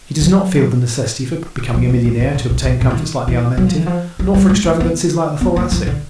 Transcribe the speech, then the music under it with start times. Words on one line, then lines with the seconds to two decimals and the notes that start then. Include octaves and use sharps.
He does not feel the necessity for becoming a millionaire to obtain comforts like the Alimentive, nor for extravagances like the Thoracic.
0.21 F#3
1.74 F3
1.89 E3
2.05 D#3
2.20 D3
2.35 C#3
2.50 C3
2.65 C3
2.81 C3
2.90 E3
2.96 D#3
3.28 E3
3.57 F#3
3.67 F3
3.77 E3
3.86 F3
4.19 F#3
4.34 G3
4.49 G#3
4.64 A3
4.80 B3
5.41 B3
5.56 A#3
5.72 F3
5.87 D3